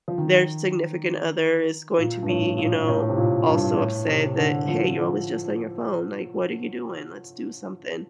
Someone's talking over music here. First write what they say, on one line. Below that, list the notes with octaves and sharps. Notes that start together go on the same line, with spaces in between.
their significant other is going to be, you know, also upset that, "Hey, you're always just on your phone," like, "What are you doing? Let's do something."
F3
D#3
A#2
G2
A2
A#2
A2
C3
A#2
G2
A2
C3
D3
F3